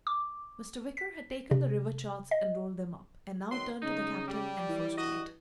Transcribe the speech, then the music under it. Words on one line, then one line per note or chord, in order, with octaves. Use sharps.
Mr. Wicker had taken the river charts and rolled them up, and now turned to the Captain and first mate.
D6
B6
C3
D#5
D#3 F#3 C6
C#3 D#4
G3
E3
G2 F#4 D#5